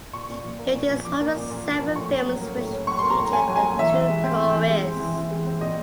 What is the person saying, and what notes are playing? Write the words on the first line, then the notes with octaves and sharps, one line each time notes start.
It is one of seven films which featured The Two Coreys.
A#2 C#6
A#2
F3
A#3
A#2
A#2
F3 D6
A#3
A#2
A#2
F3
A#3
A2 C#6
C#4
F#3
A#3
A2
C#4
F#3 C#6
C6
A#3
A#5
A2
C#4 G#5
F#3
G#5
A#3
E3 E5
E3
G#3
C4
E3
E3
G#3
C4
E3
E3
G#3
C4
A#2 D#5